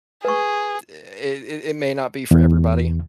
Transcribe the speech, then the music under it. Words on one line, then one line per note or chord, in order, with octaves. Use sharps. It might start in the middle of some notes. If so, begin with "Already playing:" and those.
it it it may not be for everybody.
G#4 B4 C#6
E2